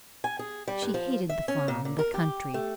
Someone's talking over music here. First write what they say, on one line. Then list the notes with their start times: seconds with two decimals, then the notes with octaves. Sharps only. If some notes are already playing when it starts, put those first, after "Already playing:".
She hated the farm, the country.
0.24 G#5
0.39 G#4
0.68 G3
0.82 G2
0.94 F3
1.29 E5
1.48 C#4
1.68 A#2
1.85 A#2
1.99 A#4
2.14 G4
2.54 A3